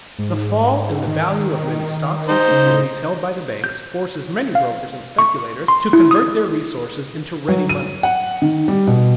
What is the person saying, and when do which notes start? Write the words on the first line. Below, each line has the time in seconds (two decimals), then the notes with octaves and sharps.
The fall in the value of many stocks and securities held by the banks forces many brokers and speculators to convert their resources into ready money.
0.18 G#2
1.08 D#3
2.29 D#4 C5
2.51 C#3
3.64 G6
4.55 F5
5.19 C#6
5.68 C6
5.93 E4
6.11 D#6
7.48 F#3
7.69 D#7
8.03 F#5
8.42 D#3
8.68 G3
8.87 B2